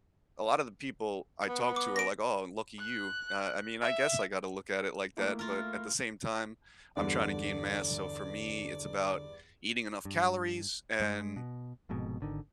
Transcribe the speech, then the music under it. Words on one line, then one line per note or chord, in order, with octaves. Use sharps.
a lot of the people I talk to are like, “Oh, lucky you.” I I mean, I guess I got to look at it like that, but at the same time, I'm trying to gain mass, so for me, it's about eating enough calories and
B3
D6
A#6 D7
F#6
E5
A3 A#3 E4
F4 A#4
E2 G2 D3 D5
G2
G2 G#3
B2
F1 F2 G#2 B2
G#1 D3 D#3